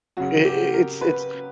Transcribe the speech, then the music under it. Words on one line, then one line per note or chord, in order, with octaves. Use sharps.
it's it's
C#3 F#3 F#4
G4
A#4
B4